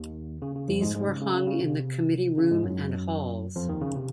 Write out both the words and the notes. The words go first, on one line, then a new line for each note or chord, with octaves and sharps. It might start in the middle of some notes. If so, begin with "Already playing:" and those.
These were hung in the committee room and halls.
Already playing: D#2 D#3
C#3
C#3
F2 F3
G#2 G#3
G#2 G#3
C#3
C#3
C#3
C#3
C3
C#3
G#2 G#3
F#2 F#3
F2 F3
D#2 D#3
C#3
C3